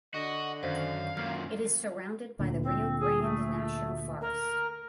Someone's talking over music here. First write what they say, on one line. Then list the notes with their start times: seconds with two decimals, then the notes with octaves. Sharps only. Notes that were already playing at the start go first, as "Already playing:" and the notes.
It is surrounded by the Rio Grande National Forest.
0.14 D3 F#4 D#5
0.63 F#2 D#3 C5 F5
1.17 F#2 A#2 F6
2.39 D2 A#2 D3
2.63 C4
3.00 G#4
3.22 A3
4.21 A#4